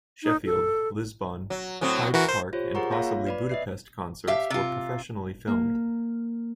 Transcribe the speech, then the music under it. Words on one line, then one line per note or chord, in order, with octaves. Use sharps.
Sheffield, Lisbon, Hyde Park and possibly Budapest concerts were professionally filmed.
D#4
A4
F#3
A2 F#3 C4
E3 F#4 A#4
C5
F4 G4 C5 C#5
G#4 A#4 F#5 A#5 C#6
A#3 F4 C#5 F5 A#6
B4 D5 B5
D#5 E5 C7
G4 E5 F5
C3 F4
A#3